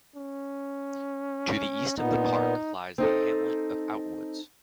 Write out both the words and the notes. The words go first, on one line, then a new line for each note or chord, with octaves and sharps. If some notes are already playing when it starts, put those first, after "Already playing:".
To the east of the park lies the hamlet of Outwoods.
C#4
A#2 B3 D#4
C4 D#4 A4